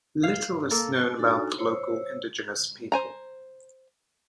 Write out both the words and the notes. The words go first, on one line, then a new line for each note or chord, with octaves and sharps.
Little is known about the local indigenous people.
F5
A#3 A4
D4 D#4 F#4 A4 G#5
C5 C#5 E6
C5 G#5 A#5